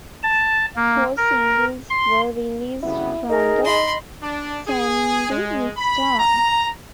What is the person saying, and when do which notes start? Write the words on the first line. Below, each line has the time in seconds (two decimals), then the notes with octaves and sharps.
Four singles were released from the Sandinista!
0.23 A5
0.76 A#3
1.17 A#4
1.90 C6
2.83 F#1 G2 B3 E4
3.29 D#4 G#4 A#4
3.64 D#5 B5 C6
4.22 D4
4.67 G#4
5.31 G#3
5.77 B5
6.19 A#5